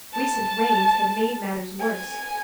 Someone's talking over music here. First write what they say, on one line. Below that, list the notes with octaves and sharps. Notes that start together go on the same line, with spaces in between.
Recent rains had made matters worse.
A5
G#5